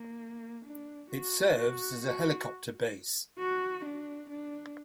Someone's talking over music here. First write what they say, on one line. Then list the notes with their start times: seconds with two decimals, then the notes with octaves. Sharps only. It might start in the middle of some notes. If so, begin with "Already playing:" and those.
It serves as a helicopter base.
Already playing: A#3
0.65 D4
1.11 F#4
1.56 F#4
2.02 F#4
3.38 F#4
3.85 D4
4.30 D4